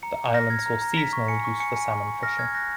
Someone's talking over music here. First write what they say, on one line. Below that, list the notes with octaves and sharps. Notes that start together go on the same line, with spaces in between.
The island saw seasonal use for salmon fishing.
A#5 C#7
A#5
F6 A#6
F6 G#6
A#5
A#5
A#5 B6
C#6
G#5 C#7
C#6
G#5 C#7
G#5
C#6
C#6
F6 A#6
F6 G#6
F#6 A#6